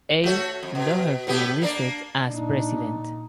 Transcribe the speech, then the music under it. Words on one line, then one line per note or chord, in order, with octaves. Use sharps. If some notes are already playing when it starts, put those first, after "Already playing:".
A. Dougherty listed as President.
A3 F#4 C#5
F2
B2
A2 B3 G4
A#3 D4 D5
A#2 D4 D#4